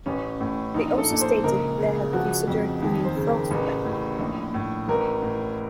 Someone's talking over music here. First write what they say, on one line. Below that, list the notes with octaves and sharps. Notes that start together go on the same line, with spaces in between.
They also stated they had considered bringing Frost back.
A1 C#4
A2
A#1 D#4
A4
A#2
C5
C#2 A#4
C#3
F3 F#4
F2
D#2 D#4
C5
C#3
A#4
A1
A2
A#1
A2
A1 A#4
A2